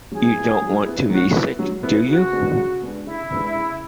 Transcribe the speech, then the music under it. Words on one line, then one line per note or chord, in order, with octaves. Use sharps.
You don't want to be sick, do you?
F#3 G#4
B3 E4
F#3
B3 E4
F#3 F#4
B3 E4
F#3
B3 E4
C#3 F#4
G#3 B3 D4
C#3
G#3 B3 D4
C#3 E4
G#3 B3 D4
C#3